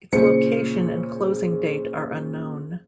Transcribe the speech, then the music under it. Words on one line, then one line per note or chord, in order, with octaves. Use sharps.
Its location and closing date are unknown.
A#2 C#3 C5 C#7